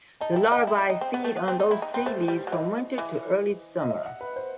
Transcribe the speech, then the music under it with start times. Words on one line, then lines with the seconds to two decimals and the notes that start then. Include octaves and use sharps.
The larvae feed on those tree leaves from winter to early summer.
0.21 D#4 A5
0.32 E4 G5
0.44 F#5
0.52 D#4 G5
0.67 E4
0.78 E4
0.90 D#4
1.01 C4
1.14 B3
1.24 A3
1.36 B3
1.48 C4
1.60 D#4
1.71 E4
1.82 D#4
1.94 C4 B4
2.06 A3 C5
2.28 G3
2.47 F#3
2.52 E3 D#5
2.98 E3
3.81 D#5
3.91 E5
4.06 F#5
4.21 B4
4.36 C5